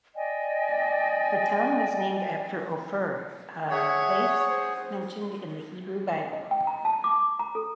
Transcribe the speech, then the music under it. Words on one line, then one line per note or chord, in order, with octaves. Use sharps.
The town was named after Ophir, a place mentioned in the Hebrew Bible.
D5 D#5 G5 G#5
G#4 C#5 E5 F#5
C5
D#5
D#5
G5
A#5
A5
D6
A#5
A4